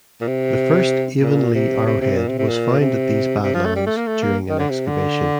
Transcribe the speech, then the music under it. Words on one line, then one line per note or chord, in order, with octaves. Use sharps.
The first Avonlea Arrowhead was found at these badlands during an excavation.
A#2
C3
A#2
C3
C3
C3
A#2
C3
C3
A#2
C3
C3
F3
A3
G3
A3
A#3
A3
A#3
D#3
D3
C3
D3